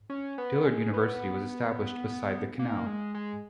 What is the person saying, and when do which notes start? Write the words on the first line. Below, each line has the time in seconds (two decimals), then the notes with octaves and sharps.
Dillard University was established beside the Canal.
0.10 C#4
0.38 B3
0.65 G#3
0.94 B3
2.59 A#3
2.87 G#3
3.15 G#3